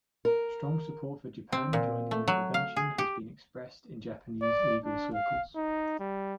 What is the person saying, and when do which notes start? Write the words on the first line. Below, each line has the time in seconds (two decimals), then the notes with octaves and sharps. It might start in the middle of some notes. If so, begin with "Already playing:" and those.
Strong support for Japan joining the Convention has been expressed in Japanese legal circles.
0.25 A#4
1.52 C4
1.73 A#2
2.11 A3
2.28 F#3
2.54 F5
2.76 G#4
2.98 G4
4.42 D5
4.84 D4
5.13 F5
5.56 D#4
6.00 G3